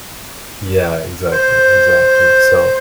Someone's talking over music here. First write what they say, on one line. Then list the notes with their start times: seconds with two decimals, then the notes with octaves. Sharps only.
Yeah, exactly, exactly, so,
1.32 C5